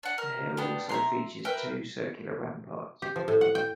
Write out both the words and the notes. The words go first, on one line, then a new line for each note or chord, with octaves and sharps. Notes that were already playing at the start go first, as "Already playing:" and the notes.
The hill also features two circular ramparts.
D4 F#5
A#4
B3 D4 G4
E5 A#5 C6
A#4 B4 E5 G5
G4
F3
A2
F#5
G5